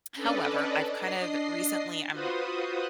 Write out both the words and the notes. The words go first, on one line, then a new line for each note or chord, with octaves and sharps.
however, I've, kind of, recently I'm
C#4 D4 A4 B4 D5 D#5
D4 D#5 C7
F4 F#4 B4 C5 D#6